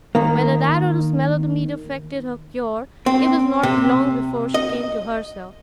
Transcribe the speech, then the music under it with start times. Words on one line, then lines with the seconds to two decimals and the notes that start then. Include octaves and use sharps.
Whether that or the smell of the meat effected her cure, it was not long before she came to herself.
0.15 D#3 A#3
3.06 C4
3.63 C3
4.54 D#5